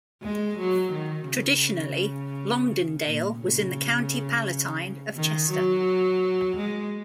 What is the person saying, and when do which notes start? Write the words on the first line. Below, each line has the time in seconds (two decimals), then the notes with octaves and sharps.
Traditionally, Longdendale was in the County palatine of Chester.
0.23 G#3
0.58 F#3
0.93 D#3
1.28 C#3
3.04 A#2
3.39 C#3
5.16 D#3
5.50 F#3
6.57 G#3